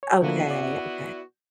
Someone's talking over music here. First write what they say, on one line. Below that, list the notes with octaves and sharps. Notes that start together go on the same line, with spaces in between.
Okay, okay.
C#5
D3 F3 A#3 B3 E4 F#4
D5